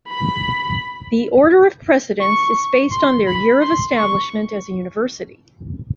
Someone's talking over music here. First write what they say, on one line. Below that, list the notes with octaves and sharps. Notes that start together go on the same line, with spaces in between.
The order of precedence is based on their year of establishment as a university.
B5
C#6
C6
B5
C6
C#6